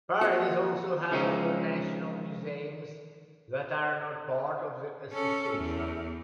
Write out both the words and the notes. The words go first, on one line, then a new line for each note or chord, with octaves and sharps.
Paris also has other national museums that are not part of the association.
F3 A#3 C4 F#4
C#3 F3 G#3 C4 C#4 D#4
C#4 A4
E2